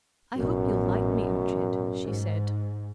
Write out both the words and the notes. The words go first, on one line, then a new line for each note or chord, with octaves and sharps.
"I hope you'll like me, Ughtred," she said.
A1 F#2 B2
G#2